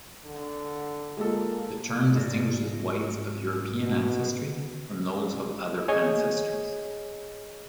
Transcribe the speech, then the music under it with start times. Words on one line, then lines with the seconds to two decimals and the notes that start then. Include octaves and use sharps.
The term distinguishes whites of European ancestry from those of other ancestries.
0.25 D3
1.17 G#3 A#3 F4 A4
2.17 G#2 F#4 D5
3.80 B2
5.88 G#4 C#5 D#5 G#5